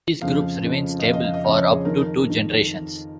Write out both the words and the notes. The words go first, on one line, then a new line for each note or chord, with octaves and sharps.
These groups remain stable for up to two generations.
F2 C#3 F3 F5
F2 C#3 F3
D#5
F2 C#3 F3 F5
D#5
F5
D#5
F2 C#3 F3 C#5
C#5
G#4
F2 D#3 A#4
F2 D#3